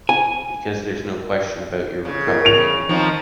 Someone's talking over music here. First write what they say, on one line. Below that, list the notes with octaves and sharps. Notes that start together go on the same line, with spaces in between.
Because there’s no question about your recovery anymore.
G#5
C#3
A#4
D7 F7
D#3 F3 C4